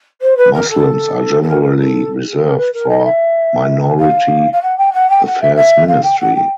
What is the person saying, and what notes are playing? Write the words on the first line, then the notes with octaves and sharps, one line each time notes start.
Muslims are generally reserved for minority affairs ministry.
C5
B4
A#4
A4
A4
A#4
A#4
A4
G#4
A#4
B4
A#4
D#5
E5
F5
F5
F#5
G5
F#5
G5
F#5
E5
E5
F5
G5
F#5
G5